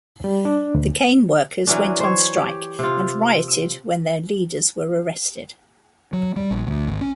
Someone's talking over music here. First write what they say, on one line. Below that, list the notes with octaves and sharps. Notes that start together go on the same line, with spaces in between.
The cane workers went on strike and rioted when their leaders were arrested.
G3
D4
D2
E3 F#3 C#4 D4
C5 C#5
G4
C3 F4
F#3
G3
A#1
D2
G#1
C#4